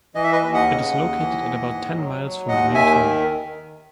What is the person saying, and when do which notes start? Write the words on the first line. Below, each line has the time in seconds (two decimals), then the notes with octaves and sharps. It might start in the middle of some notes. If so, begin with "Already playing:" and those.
It is located at about ten miles from the main town.
0.15 E3 D#5
0.24 E5
0.32 B4 D#5
0.41 D#2
0.54 D#5 F#5
0.67 C#3
0.93 D#2
1.19 E3
1.45 D#2
1.71 G#2
1.97 F#3
2.23 F#3
2.48 D#2 D#5 F#5
2.74 D#3 E5 G#5